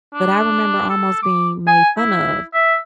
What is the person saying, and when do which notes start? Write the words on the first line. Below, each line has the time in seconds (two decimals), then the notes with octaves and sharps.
but I remember almost being made fun of
0.14 D4
0.90 A4
1.22 D6
1.67 G#5
1.97 E4
2.53 E5